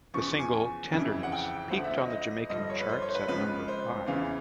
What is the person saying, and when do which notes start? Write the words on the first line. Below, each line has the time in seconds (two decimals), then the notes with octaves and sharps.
The single "Tenderness" peaked on the Jamaican charts at number five.
0.14 E2 C#3 F3 C#6
0.27 C#6
0.39 G#5
0.92 F2 C#3 E3
1.23 F#5
1.32 G5
1.71 D2 D3 F3 F#5
1.84 E5
1.97 D#5
2.10 D#5
2.49 G2 D3 F3 D#5
2.70 C#5
2.80 B4
2.89 C5
3.02 C#5
3.09 C5
3.15 B4
3.28 C#2 C#3 F3 B4
3.68 C5
4.06 E2 C#3 E3 F5